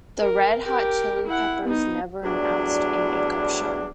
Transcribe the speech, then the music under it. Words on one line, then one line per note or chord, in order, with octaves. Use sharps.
The Red Hot Chili Peppers never announced a make up show.
A#4
G4 A#4
E4 F#5
B3 D#4
E2 A2 F#3 G3 D4